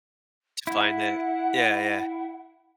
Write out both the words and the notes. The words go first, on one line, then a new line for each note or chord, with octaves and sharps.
To find it. Yeah, yeah.
E4 F#5